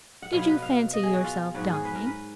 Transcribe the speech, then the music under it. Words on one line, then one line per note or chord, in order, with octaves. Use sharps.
"Did you fancy yourself dying?"
F#5
B2 F#3 B3 F5
B4
F5
D#5
G#4
F#4
F4
G#2 F#3 B3 F#4
G#4
B4
A#4
B4